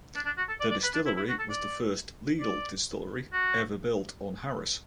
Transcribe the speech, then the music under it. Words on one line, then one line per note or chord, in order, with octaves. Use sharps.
The distillery was the first legal distillery ever built on Harris.
D4
D4
F#4
A4
D5
D5
B4
D4
E4
E4
F#4
A4
D5
D5
F#4